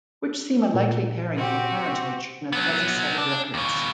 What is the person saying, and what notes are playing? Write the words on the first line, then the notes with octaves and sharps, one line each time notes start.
Which seem a likely pairing for parentage, in a fuzzy set of records.
A#2
C4 F#4 G4
F#3 B3
D4
D#2 B2